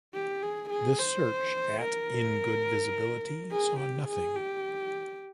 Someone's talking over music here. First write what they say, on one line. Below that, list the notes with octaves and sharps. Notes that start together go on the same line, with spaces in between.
This search at in good visibility saw nothing.
G4
G#4
G#4
C5
A#4
G#4
G4
G#4
G4